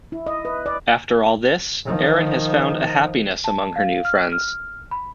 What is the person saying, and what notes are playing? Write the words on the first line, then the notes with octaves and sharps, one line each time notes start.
After all this, Erin has found a happiness among her new friends.
E4
D#5
B4
D5
D#3 F3
A5
F5
F6
F6
B5